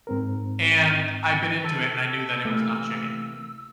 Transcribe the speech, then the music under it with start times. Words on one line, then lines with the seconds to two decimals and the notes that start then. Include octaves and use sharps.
and I bit into it, and I knew that it was not chicken,
0.07 G#2 C4 A#4
1.64 A4 E6
2.45 C3 E3 A3 A#3